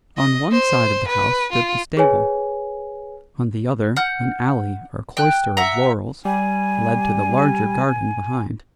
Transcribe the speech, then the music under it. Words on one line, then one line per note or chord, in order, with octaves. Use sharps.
On one side of the house stood the stable, on the other an alley or cloister of laurels led to the larger garden behind.
D#5
C5
B4
F4
G#4 B4 C#5 G#5
F#5 F6 G6
G5 F#6
E5 F#5 A#5
G3 G#5